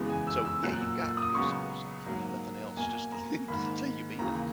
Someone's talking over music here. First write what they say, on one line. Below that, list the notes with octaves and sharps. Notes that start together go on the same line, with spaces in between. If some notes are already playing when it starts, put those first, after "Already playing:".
So, yeah, you've got to go see those things. If nothing else, just the thing to say you've been.
Already playing: E2 C#3 E3 G#3 B3
G#5
E6
E6
A#2 F#3 A#3 F#6
E6
E6
D#6
C#2 C#3 F#3 B3 C#6
G#2 F#3 A#3
B2 A#3 G#5
A#5
G#2 D#3 A#3 B5
D#2 C#3 E3 A#3 A#5